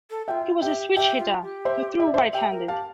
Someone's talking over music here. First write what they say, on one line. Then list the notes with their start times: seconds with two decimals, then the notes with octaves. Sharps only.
He was a switch-hitter who threw right-handed.
0.10 A4
0.28 F4 G4 E5 G5
0.62 G4 E5 G5
0.96 G4 E5 G5
1.19 F4
1.42 G4
1.65 C5 E5
2.00 E5
2.07 D5
2.14 C5 E5
2.33 G4 E5 G5
2.51 A#4
2.68 G4 F5 A5